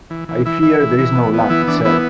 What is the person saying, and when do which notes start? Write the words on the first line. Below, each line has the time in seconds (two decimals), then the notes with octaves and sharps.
I fear there is no lamp, sir.
0.10 E3
0.28 E3
0.46 E3 E4
0.62 E3
0.80 E3
0.98 E3
1.15 B3
1.33 B3
1.50 E3 E4
1.68 E3 D4
1.85 B3 E4